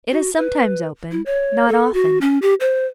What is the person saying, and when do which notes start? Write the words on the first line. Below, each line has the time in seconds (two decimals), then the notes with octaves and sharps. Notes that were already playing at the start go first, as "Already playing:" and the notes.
It is sometimes open--not often.
0.12 F#4
0.37 B4
1.11 E4
1.26 C#5
1.68 A4
1.94 F#4
2.21 C#4
2.42 G4
2.60 C5